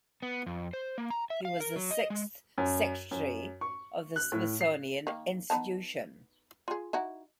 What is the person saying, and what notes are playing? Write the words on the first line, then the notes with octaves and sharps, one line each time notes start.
He was the sixth Secretary of the Smithsonian Institution.
B3
F2
C5
A#3
A#5
E5
F5
A#4
F#3
D#5
G#3
F#2
F#2
C#6
F#6
A2
C7
D#3 A#3
B3 D#4 A5
F4 G#4
D#4 E4 F#4